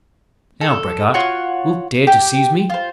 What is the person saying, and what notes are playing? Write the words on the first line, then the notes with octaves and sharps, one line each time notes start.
"Now, braggart, wilt dare to seize me?"
A4
F4 F#4 C#5 F#5
G4
F4 C5